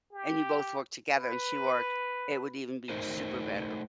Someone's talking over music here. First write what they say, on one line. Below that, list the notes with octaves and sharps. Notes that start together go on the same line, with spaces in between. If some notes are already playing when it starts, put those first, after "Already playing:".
and you both work together, and she worked, it would even be t super better.
G4
B4
A3 D#4 A#4 C5